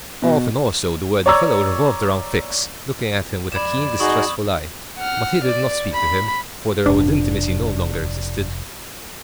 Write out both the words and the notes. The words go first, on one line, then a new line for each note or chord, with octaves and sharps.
Often, also, the worthy fellow revolved around Fix, looking at him with a keen, distrustful eye; but he did not speak to him, for their old intimacy no longer existed.
B2
C#5 D5 A#5 C#6 E6
F2 D5 B5 G#6 E7
D#4 F#4 G#4 C#6 D#6 F#7
F#5 F6
D5
B5
F1 D4